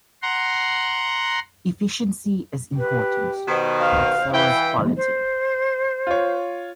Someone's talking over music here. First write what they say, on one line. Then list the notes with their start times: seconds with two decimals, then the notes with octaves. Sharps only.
Efficiency is important, but so is quality.
0.22 F#5 A#5 C6
2.78 G4 B4
3.48 B2 D#3 C5
3.81 F5
4.34 E3 E4 G5
4.96 C5
6.07 F4 C#5